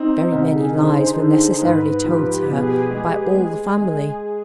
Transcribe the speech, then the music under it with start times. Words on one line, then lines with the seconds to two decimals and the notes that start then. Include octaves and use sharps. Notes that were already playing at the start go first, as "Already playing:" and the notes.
Very many lies were necessarily told her by all the family.
Already playing: C4 D#4
0.11 D#4
0.32 C2
0.54 G#4
0.75 D3 C5
1.18 D3
1.62 G#2 B4
2.04 F3 G4
2.47 B2 B4
2.57 G#4
2.68 G4
2.77 G#4
2.90 G#3
3.34 G#3
3.78 G#3
4.20 G#4